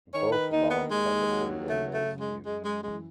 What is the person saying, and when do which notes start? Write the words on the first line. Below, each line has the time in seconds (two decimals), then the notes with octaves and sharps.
Both bombs have a single nose fuze.
0.13 D#3 C#5
0.32 B4
0.52 D#2 D#4
0.71 B3
0.90 D#2 G#3
1.29 F#3
1.68 C#3 A3
1.94 A3
2.06 F#2
2.19 G#3
2.45 F#2 G#3
2.64 G#3
2.84 E3 G#3